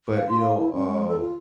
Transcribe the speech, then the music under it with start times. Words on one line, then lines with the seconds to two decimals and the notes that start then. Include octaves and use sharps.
but, you know, uh,
0.16 F5
0.29 C6
0.40 F5
0.58 E4
0.74 C#4
0.88 G#3
1.08 A4
1.20 F4